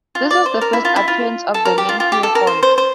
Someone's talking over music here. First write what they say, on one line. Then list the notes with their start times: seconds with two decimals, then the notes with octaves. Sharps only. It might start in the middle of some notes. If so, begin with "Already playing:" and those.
This was the first appearance of the name Pierrefonds.
0.15 F4
0.31 D5
0.46 C5
0.61 A#4
0.73 E4
0.85 F4
0.96 E4
1.08 F4
1.54 A4
1.65 A#4
1.78 G4
1.89 F4
2.00 F4
2.12 G4
2.23 A4
2.35 A#4
2.47 C5
2.63 C5
2.78 C5